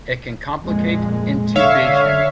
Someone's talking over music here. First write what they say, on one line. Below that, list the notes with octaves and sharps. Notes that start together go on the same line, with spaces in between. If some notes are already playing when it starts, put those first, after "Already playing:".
It can complicate intubation.
F2 A#2 G#3
D3 C#5 E5 F5